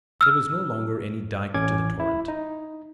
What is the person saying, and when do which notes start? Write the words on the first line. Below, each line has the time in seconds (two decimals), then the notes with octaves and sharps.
There was no longer any dike to the torrent.
0.21 E6 F6
1.54 A1 C#4 D6 G#6
2.00 E4
2.28 D#4